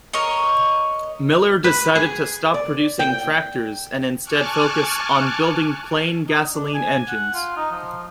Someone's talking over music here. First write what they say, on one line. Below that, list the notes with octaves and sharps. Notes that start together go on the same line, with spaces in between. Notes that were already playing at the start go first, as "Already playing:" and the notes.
Miller decided to stop producing tractors and instead focus on building plain gasoline engines.
A#4 C#5 D#5
B4
G#4
D5
G5
G#5 A5 C#6 D6 F6 F#6
D#4
D4
G#5
F#5
F4
D#4
F3